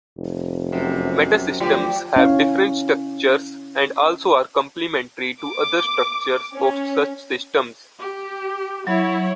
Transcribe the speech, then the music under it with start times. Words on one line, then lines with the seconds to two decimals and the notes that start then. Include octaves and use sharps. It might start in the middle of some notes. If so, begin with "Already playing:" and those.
Meta-systems have different structures and also are complementary to other structures of such systems.
0.17 F1
0.72 F#2 C3 B3
1.60 D2 F3 F#3 G4 D5
2.16 C#4 E4 C#5 F5
5.41 D6
6.56 C#4
7.99 G4
8.87 F#3 E4 C#5